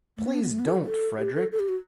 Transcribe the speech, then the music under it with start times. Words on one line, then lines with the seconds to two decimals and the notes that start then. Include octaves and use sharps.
Please don't, Frederick!
0.18 A3
0.26 B3
0.34 D4
0.42 B3
0.51 A3
0.59 B3
0.68 A4
0.84 A4
1.18 G4
1.35 A4
1.52 A4
1.59 G4
1.69 F#4